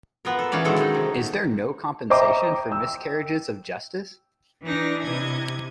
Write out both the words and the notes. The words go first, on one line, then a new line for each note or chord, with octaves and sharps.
Is there no compensation for miscarriages of justice?
B3 F4 A#4
A4
A#2 E3 C#4 D5 F5
D#3 F#3 G#3 A4 A#5
D#4
C3
C5 D#5 E5 G5 A#5 D6
G5 E6
E3 D4 D#4 D5 A#6
C3 E4 D#5 G#6